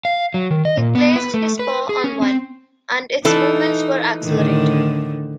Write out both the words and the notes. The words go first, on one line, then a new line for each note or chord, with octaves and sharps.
He placed his paw on one, and its movements were accelerated.
F5
F#3
D#3
D#5
A#2
B3
B4
A3
B4
G#4
C#4
C4
E3 D#4 A4 A5
A2 D3 D#3